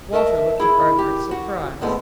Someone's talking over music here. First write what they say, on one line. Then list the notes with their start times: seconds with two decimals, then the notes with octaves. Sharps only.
Walter looked at Arthur in surprise.
0.12 A#4 D#5 E5 F#5 A5
0.60 E4 G#4
0.99 G4
1.31 F#4
1.81 D#2 G#2 G#3 A3 B3 D4